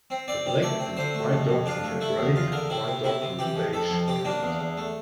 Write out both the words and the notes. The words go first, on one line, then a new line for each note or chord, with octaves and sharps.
A black and white dog near a gray and white dog on beige carpet.
C4
C4 D5
C3
A3 D5
C4
D3 C5
A3
F2
F2
D4 F4
A3
A3 E4
E2
E2 F4
D3 A#4
C3 E4
C3
C3 E4
C3
E3 G4
F2
F2 A4
F2
C3 G4
A#3 D4
E2
E2
A3